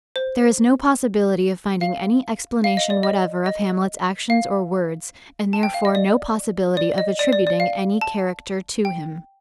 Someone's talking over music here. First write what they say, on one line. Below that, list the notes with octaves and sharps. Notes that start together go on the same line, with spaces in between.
There is no possibility of finding any explanation whatever of Hamlet's actions or words, and therefore no possibility of attributing any character to him.
C5
F5
F5
D#5
D5
D#5
D#5
F5
A5
G5
F5
D#5
D5
D5
D#5
D5
D5
D5
F5
A5
G5